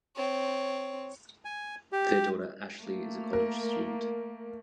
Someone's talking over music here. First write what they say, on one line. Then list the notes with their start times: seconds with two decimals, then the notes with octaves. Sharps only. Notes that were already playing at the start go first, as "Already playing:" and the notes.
Their daughter Ashley is a college student.
0.16 C4 C#5
1.45 G#5
1.92 G4
2.82 A3 A#3
3.33 A#4